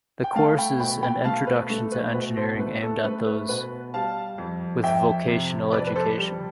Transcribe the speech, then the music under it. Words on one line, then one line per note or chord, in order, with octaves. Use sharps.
The course is an introduction to engineering aimed at those with vocational education.
G5
A3 F5 A5
G5 B5
B2 G5 B5
G5 B5
A3 F5 A5
B4
A3 A4
B4
B2 B4
A4 C5
A3 B4
A4
A3 B4
B4
B2 B4
G3 F5 A5
F2
F2 E5 G5
C3
F2 B4 D5
B4
A4 C5
G3